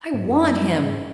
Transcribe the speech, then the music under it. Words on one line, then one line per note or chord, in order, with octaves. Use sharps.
I want him.
G#2
F#2
G#2